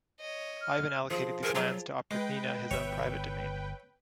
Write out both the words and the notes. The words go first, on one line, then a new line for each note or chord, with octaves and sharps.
Ivan allocated these lands to Oprichnina, his own private domain.
C#5 D#5
F6
F3 G#4
G#4 A#4
F#3 G#5 A5
G#3 B4 G5
G1 B3 C#5 E5